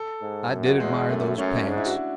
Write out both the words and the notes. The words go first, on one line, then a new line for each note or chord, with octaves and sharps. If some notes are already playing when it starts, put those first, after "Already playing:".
I did admire those pants.
Already playing: A4
G#2
F#2
F#4
E2 G#3
F#2 A3
F#2 C#4
G#2 D4
E4
F#4
F#4